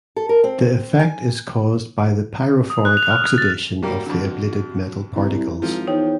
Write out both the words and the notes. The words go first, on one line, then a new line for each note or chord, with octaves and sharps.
The effect is caused by the pyrophoric oxidation of the ablated metal particles.
A4
A#4
C4
G#5
D#6
F#6
F7
F6
D#6
A6
G3 A#3 F#4 G4
F2 D3
C2 E4
G#1 F3
E2 D#4 C5 C#5 G5